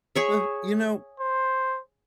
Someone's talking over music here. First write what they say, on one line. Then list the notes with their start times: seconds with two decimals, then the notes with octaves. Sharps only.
w you know,
0.15 G#4 C#5 E5
1.20 C5